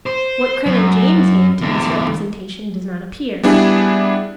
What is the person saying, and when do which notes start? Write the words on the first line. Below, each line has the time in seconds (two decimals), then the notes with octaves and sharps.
What credit James gave to this representation does not appear.
0.06 C5
0.66 F#2
1.61 E2 D3
3.43 G3 B3 D4 E4 G#4